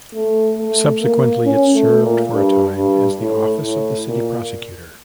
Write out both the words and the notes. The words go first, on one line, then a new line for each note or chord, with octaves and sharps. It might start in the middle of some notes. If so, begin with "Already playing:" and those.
Subsequently, it served for a time as the office of the City Prosecutor.
A3
A3
A#3
C#4
A3
A#2
G2
G2
A2
A2
A#2